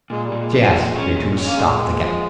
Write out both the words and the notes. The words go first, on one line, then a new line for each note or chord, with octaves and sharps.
She asked me to stop the gap.
A#2 G#3
G3
A#2
G#3
F3
A#2
C#4
A#2
G#3 C#4
A#3
A#2 G#3
A#2
F3